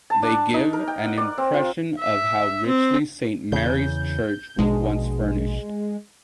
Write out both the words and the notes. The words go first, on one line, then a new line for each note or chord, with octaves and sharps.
They give an impression of how richly Saint Mary's church was once furnished.
A5
D4
D#4
A#4
G5
F#5
D5
C4
F4
E5
C4
E2 C#3 G6
A#1 B2 G#3 D4